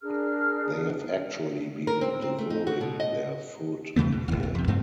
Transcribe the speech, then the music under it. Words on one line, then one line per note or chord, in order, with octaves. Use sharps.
They have actually been devouring their food here.
D4 G#4 A#4 F6
A#4
C4
C4
A3
D#4
F#4
B2
D#5
E2 C#3 A3 B3
B2
D1 G1
B1
F2 C3
G2 A3 C4